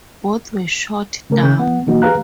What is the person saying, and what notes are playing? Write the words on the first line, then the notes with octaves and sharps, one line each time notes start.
Both were shot down.
C#3 A3 A#4
C#3 G6
B3 F#5
B2 E3 F#3 A#3 D#4 F#4
G4 G#4 B4 F5 A#5 F#6